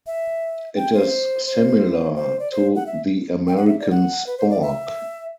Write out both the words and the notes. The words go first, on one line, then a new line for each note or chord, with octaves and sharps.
It is similar to the American spork.
E5
G5
C5
C5
C5
D5
C5
F#5
E5
G5
F#5
E5
D5
F#5
B4
C5
D5
E5